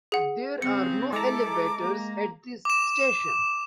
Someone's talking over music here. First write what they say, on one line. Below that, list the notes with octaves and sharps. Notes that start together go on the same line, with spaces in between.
There are no elevators at this station.
G#4 F#5
C#3 C4 C#7
G#3 E4 A4 A#5 D6
A#3
D6 E7